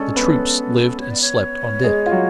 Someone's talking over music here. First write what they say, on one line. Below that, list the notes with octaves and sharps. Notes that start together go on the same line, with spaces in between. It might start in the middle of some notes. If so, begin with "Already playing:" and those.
The troops lived and slept on deck.
Already playing: G#3 C#4 D4 A4 C#5
B3 B4
C#5
D5
C#5
G#3 G#4
F4
F#3 F#4